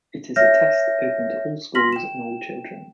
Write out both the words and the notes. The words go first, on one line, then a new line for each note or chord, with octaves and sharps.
It is a test open to all schools and all children.
C#5 E5 F6 G6 A#6
C6 F6 A#6 B6 F#7
G5 E7